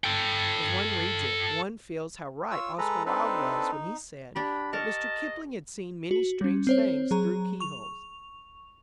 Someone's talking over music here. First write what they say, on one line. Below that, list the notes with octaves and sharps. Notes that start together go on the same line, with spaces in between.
As one reads it, one feels how right Oscar Wilde was when he said that Mr. Kipling had seen many strange things through keyholes.
A4 G5
F4 C#5 E6
G#3 A4 B4 A#5
C4 D4 D#4 A4 B4
D#4
D4 G4 B5
A#4 D#5 A5 C#6
F#4
G3 C#4
C4 C5 C#5
F#3 G#4 A#5
C#6 F7